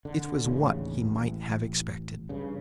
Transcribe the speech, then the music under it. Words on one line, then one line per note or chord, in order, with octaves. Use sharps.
It was what he might have expected.
D3
A1 D#2 C#3
A1
G2 C#3